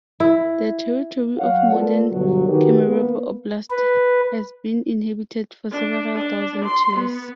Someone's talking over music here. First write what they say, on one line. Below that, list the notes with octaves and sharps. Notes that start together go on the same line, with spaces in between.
The territory of modern Kemerovo Oblast has been inhabited for several thousand years.
E4
F#3 C#5 F5 F#5
A3 B3 F4 A4 A#4 D5
G1 B2 D3 F#3
D#3 D#4 F#4 G4 A#4 B4
A#3 B3
B4
D4
D4
C6
B3